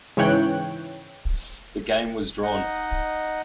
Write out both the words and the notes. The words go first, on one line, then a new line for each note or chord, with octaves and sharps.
The game was drawn.
G#2 C#3 E3 C#5 G5 F#6
D#4 D#5 F#5